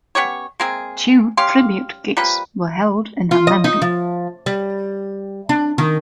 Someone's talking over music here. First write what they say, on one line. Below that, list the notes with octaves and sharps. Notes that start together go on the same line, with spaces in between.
Two tribute gigs were held in her memory.
B3 C#4 G4 C#5
G#3 A#3 C4 G#4
C#4 G4 F5 C6
F3 G3 A#3 B4
F4
D#5
D#4
F3
G3
D4
D#3